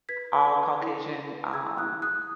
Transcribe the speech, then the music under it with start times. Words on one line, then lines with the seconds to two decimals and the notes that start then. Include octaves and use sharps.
all Caucasian, um,
0.09 B4 G#6 B6
0.33 B4
0.57 B4
0.81 E4
1.06 E4
1.30 B4
1.53 G#4 E6 G#6
1.78 E4 D#6 F#6
2.02 G#4 D#6 F#6